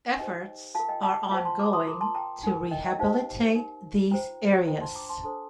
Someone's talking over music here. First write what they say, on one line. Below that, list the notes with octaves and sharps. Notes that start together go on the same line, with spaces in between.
Efforts are ongoing to rehabilitate these areas.
D#4 G4 C5 D#5 G5
F4 A#4 F5 A5
D#5 G5
F5 A5
G5
F4 C5 F5 A5
A5 C6
A#5 D6
C6 D#6
F4 A#4 A#5 D6
A5 C6
G5 A#5
D#4 A#4
D#5 G5
D#5 G5
D#4 G4 C5 F5 A5
D#4 A#4
F4 C5 G5 A#5
D4 F4 C5 G5 A#5
A5 C6
A#5 D6
A5 C6
D4 A4 C5 A5 C6